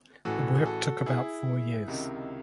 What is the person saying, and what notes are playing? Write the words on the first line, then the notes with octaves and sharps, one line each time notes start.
The work took about four years.
A1 A2 E3 F#4 A4
G#4
F#4 A4
E4 G#4
C#2 C3 D#3